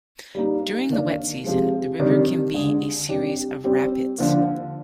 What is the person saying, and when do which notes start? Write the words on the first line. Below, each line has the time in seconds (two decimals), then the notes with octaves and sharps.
During the wet season, the river can be a series of rapids.
0.35 G3 A#3 D#4
0.90 D#3 A#3 D4
1.44 C3 F3 G#3
1.99 C3 D#3 G3 D4
2.54 D3 G#3 D4 G#4
3.09 C3 G3 D4 G4
3.64 G3 C4 G4
4.18 D3 F3 A#3